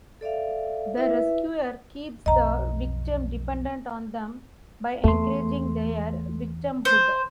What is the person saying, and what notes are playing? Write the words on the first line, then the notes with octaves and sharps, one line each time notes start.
The rescuer keeps the victim dependent on them by encouraging their victimhood.
A4 D5 E5 F5
E4 B4 E5
B1 F2 D#5 A#5
E2 A3 C6
C5